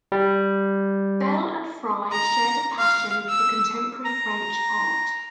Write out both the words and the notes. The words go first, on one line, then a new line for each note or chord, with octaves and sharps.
Bell and Fry shared a passion for contemporary French art.
G3
A#5
F5
E6
A#5